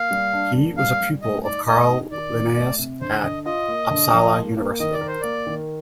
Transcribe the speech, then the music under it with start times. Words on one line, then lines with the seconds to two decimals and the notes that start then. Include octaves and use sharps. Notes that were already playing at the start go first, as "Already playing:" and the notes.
He was a pupil of Carl Linnaeus at Uppsala University.
Already playing: A#3 F5
0.11 G3
0.33 D4
0.55 A#3
0.77 G3 F5
1.00 G3
1.22 A3 D#5
1.45 D#4 D5
1.67 A3 D#5
1.89 D#4
2.12 D#3 D5
2.34 D#3
2.56 A3
2.79 C3
3.01 D3 C5
3.23 D3 D#5
3.46 F4 D#5
3.68 A#3
3.91 D3
4.13 F3
4.35 A#3
4.57 A#3
4.80 D#3 D#5
4.93 D5
5.01 A#4
5.07 C5
5.21 A#3 D5
5.47 D#3